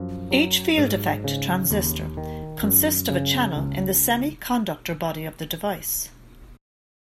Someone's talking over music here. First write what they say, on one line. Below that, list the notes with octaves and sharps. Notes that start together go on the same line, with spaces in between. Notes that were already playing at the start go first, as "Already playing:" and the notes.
Each field-effect transistor consists of a channel in the semiconductor body of the device.
Already playing: F#2 F3
F#3
G#2
C#3
D#2
D#3
F#2
C#3
C#2